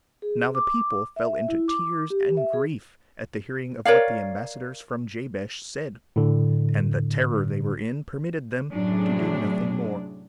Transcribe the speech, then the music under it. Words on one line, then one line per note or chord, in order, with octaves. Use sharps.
Now the people fell into tears and grief at the hearing of what the ambassadors from Jabesh said; and the terror they were in permitted them to do nothing more.
G#4
D6
E5
E4
D6
G4
E5
G#4
A#4 C#5 D5 F5
A2 D3
F#2 A2 C3 F#3 D4 G#4